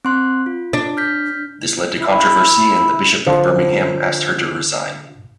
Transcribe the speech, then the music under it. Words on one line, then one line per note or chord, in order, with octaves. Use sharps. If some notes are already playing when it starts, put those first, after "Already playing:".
This led to controversy and the Bishop of Birmingham asked her to resign.
C4 C6 F#6
F4
D4
F6 G6 B6
E4
D3 F3